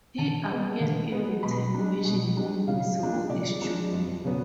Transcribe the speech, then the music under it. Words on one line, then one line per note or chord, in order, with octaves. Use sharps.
He appeared in the television movies Who is Julia?
D3 A5
G#3 B3
D3
G#3 B3
B2 B5
G#3 D4
B2
G#3 D4
C#3 F5
F3 G#3 D4
C#3 D5
F3 G#3 D4
F2
C#3 F#3 B3